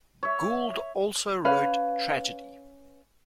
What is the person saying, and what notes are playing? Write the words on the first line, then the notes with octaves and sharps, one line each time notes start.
Gould also wrote tragedy.
C#5 E5
C#4 B4 F5